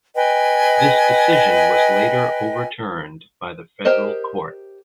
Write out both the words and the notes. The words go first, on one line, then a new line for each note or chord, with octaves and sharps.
This decision was later overturned by the Federal Court.
B4 D#5 G5 G#5
G4 A#4 C5 D#5